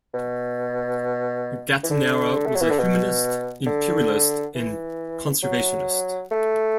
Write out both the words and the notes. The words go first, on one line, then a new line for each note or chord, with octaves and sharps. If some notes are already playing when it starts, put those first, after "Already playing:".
Gattinara was a humanist, imperialist, and conservationist.
B2
E3
D3
A3
F#3
E3
D3
B2
D3
E3
F#3
A3